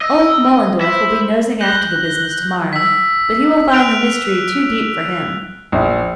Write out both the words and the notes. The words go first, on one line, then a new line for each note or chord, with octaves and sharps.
Old Moellendorff will be nosing after the business tomorrow, but he will find the mystery too deep for him.
D#5 E6
E4 C5
F#6 G6 A#6 G7
E6 B6
F6 F#6 D7 F7
A#1